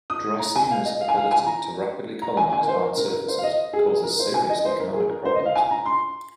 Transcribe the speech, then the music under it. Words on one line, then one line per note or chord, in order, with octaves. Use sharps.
"Dreissena"'s ability to rapidly colonize hard surfaces causes serious economic problems.
D#6
A#5
G#5
F5
D#5
F5
G#5
F5
G#5
A#5
A#5
G#5
G#5
A#4
C5
A#4
A#4
A#4
C5
F5
D#5
G#4
G#4
A#4
C5
G#5
D#5
C5
A#4
G#4
A#4
C5
D#5
F5
G#5
A#5
C6